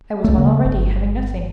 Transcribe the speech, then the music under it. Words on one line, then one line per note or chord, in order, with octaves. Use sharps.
I was one already, having nothing.
C#2 A3
C#3 A#3
G1